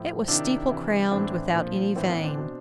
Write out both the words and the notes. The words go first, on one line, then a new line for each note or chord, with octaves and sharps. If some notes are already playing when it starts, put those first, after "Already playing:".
It was steeple-crowned, without any vane.
Already playing: A2 F3
C3 D#3 D4 E4
C3 E3
A2 E3 C4 D4
A#2 F3
A2 E3 C4 D4
B3 C#4
C4 D4
B2